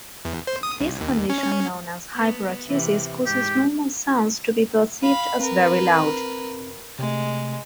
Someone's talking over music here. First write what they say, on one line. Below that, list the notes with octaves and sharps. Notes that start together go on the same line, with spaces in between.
This condition, known as hyperacusis, causes normal sounds to be perceived as very loud.
E2
C5
D#6
C2
D#2
C#4
C#4
B3
C3 E3
G#2 G4
F5 B5
C4 A#4 B4
C3 G#3 A3